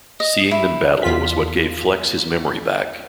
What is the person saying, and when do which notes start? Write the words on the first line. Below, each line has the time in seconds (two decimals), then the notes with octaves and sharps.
Seeing them battle was what gave Flex his memory back.
0.20 D#5
0.51 E4
1.02 E2 F4 B6